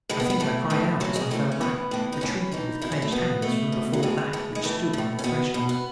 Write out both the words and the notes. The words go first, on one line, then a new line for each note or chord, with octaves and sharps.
I think I cried out as I fell back--retreated with clenched hands from before THAT which stood on the threshold.
A2 E3 G#3
B3
B3
A2 E3 A3
A2 E3
A2 E3 F#3
G#3
A2 E3 A3
C#4
A2 E3 B3
A2 E3
D#4
A2 E3 C#4
A2 E3 D#4
B2 E4
C#4
A3
B2 B3
B2 A3
B2
F#3
A2 E3 G#3
A2 E3
G#3
A2 E3 A3
A2 E3
C#4
B2 B3
B2 B3
B3